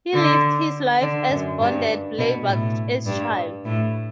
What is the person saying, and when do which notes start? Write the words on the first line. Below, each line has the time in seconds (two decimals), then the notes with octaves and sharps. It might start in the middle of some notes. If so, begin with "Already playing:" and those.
He lived his life as bonded labour as child.
0.13 D3
1.01 D3
1.31 F#2
1.60 G2
2.18 B2
2.47 A2
3.05 G2
3.65 A2